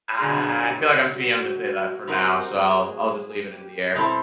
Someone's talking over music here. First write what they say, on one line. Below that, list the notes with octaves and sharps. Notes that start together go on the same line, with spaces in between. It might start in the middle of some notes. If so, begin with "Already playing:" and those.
Ah, I feel like I'm too young to say that for now, so I'll I'll just leave it in the air.
G2 D3 F#3 G#4
G4
F#4
G3 C4 D#4 F#4 G4 A#4
G#4
G4
B2 G3 C4 E4 A4